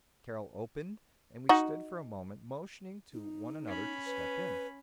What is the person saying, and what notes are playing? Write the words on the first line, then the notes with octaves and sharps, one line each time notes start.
Carroll opened, and we stood for a moment motioning to one another to step in.
D#4 F#4
D#4
C#4 B5
B4